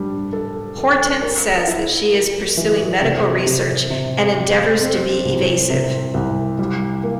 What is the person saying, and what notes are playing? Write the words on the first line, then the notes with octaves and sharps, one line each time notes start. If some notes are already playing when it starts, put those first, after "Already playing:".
Hortense says that she is pursuing medical research and endeavours to be evasive.
Already playing: G3 D4
A4
A4
A#4
E4
A#4
E3
C3
C3
C3
G4
C4
C2
C3
C2
G3
A#3